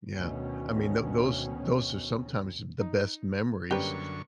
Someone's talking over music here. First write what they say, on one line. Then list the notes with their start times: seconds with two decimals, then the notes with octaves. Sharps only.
Yeah. I mean, tho those those are sometimes the best memories,
0.15 D2 B2 D#3 C#4
2.80 D#4
3.71 F#2 D3 G3 A#3 C#4 G4 B4 C#6